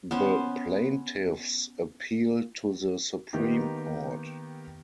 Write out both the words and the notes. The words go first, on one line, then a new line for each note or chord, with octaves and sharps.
The plaintiffs appealed to the Supreme Court.
B3 C#4 C5
D#3 A#3 B3 D#4 G4